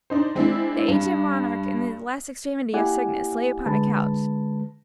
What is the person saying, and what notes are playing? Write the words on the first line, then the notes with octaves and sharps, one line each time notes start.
The aged monarch, in the last extremity of sickness, lay upon a couch.
D4 D#4 C5
G#3 C4 D4 E4
G2
A#3 E4 G4 D5 F#5 G#5
D3 G#3 B4 A5